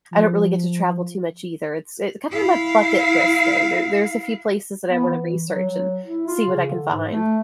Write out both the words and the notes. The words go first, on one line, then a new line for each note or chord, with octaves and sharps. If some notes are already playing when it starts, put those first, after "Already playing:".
I don't really get to travel too much either. It's, uh, kinda on my bucket list, though. There there's a few places that I wanna research and see what I can find.
F3
E4 F5
B3
E3
F#3
F#3
E4
F4
C#3
D3
G#2
A3